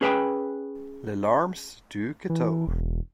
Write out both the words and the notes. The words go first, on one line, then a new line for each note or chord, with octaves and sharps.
"Les Larmes Du Couteau".
C#4 G#4 B4 F5 G5 B5
E3
E1